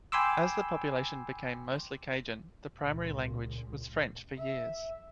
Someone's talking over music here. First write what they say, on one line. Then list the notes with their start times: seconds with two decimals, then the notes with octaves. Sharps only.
As the population became mostly Cajun, the primary language was French for years.
0.12 G5 G#5 B5 C6 D6 E6
2.78 C#2 A#2
4.37 E5